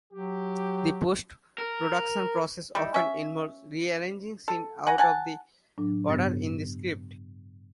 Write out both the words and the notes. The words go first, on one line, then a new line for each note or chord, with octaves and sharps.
This post-production process often involves rearranging scenes out of the order in the script.
F#3 G4
A#4
G3 D#4 E4
C#4 E5
A4
F#5 G#5 A#5
F#5 G#5 A5
A2 F#3 D4
G2 C#3 B3 A6 A#6